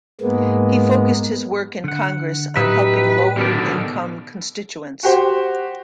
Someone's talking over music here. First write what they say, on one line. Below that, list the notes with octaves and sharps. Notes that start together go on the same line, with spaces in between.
He focused his work in Congress on helping lower income constituents.
G#2 G#3 A#3 B3
D3 F#5
F#2 A2 D#4 G4 B4 E5
B1 B2 D3 D#3 A4 D5
F#4 G4 C5